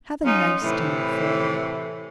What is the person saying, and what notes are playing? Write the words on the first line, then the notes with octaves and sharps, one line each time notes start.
Have a nice dinner for her.
F#3 C#4 D#4 F4
A2 C3 E3